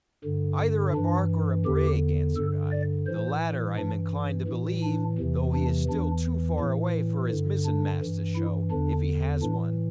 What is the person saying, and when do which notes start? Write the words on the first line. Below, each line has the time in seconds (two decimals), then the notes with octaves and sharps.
"Either a barque or a brig," answered I; "the latter I am inclined to believe, though he is still too far away for his mizzen-mast to show, if he has one."
0.24 G2 D3
0.95 G2 E3 D4
1.66 E2 D3 G4
2.37 G2 D3 A4
2.71 D5
3.07 A2 E3 C5
3.77 G2 E3 D4
4.48 A2 E3
4.83 D4
5.19 E2 C3 E3
5.54 D4
5.89 E2 E3 D4
6.59 A2 E3
7.30 G2 D3
7.66 D4
8.01 G2 E3
8.36 E4
8.71 E2 D3 D4
9.42 A2 E3 D4